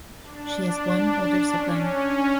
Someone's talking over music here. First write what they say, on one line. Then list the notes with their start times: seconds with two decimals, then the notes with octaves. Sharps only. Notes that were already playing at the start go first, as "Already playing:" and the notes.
She has one older sibling.
0.23 D4
0.86 D4
1.51 C#4